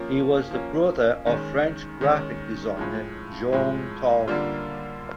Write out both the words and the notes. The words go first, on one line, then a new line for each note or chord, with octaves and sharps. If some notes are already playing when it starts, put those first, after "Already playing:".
He was the brother of French graphic designer Jean Carlu.
Already playing: F3 A#3 C#4
F3 A#3 C#4
D#3 G#3 C#4
D#3 G#3 C#4
A2 F3 G#3
A2 F3 G#3
D3 G3 A#3 D4 F4